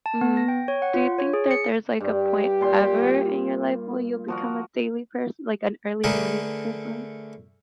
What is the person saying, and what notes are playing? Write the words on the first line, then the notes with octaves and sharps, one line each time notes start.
mhm do you think that there's, like, a point ever in your life where you'll become a daily pers like, an early mornings person?
A5
B3
A#6
G5
C#5
F#5
F4
C#5
G#4
C#7
G2 G4
A#2 C6
F3 F#4 A#4
D3 A3 G#4 A#4 B4